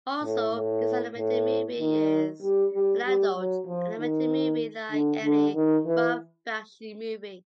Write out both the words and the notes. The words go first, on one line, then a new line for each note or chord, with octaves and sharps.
Also, this animated movie is an adult animated movie like any Ralph Bakshi movie.
A2
A2
A2
D#3
G3
G3
G3
F#3
F3
D#3
D3
D3
D#3
E3